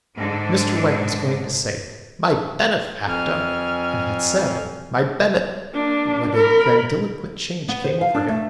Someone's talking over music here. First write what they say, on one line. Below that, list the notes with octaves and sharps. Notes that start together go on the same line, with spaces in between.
Mr Wegg was going to say, My Benefactor, and had said My Bene, when a grandiloquent change came over him.
G#2 D3 D4
F2 G#5 F6
A#3 D4
A#4 B5
B3
C5
F5
D4
A3